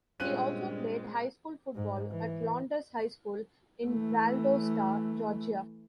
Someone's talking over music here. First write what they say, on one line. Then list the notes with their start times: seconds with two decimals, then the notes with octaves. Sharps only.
He also played High School Football at Lowndes High School in Valdosta Georgia.
0.20 G2 A#2 G#3 C4 C#4 F4 F#6 D#7
1.75 G#2
2.11 E3
3.86 E3 A3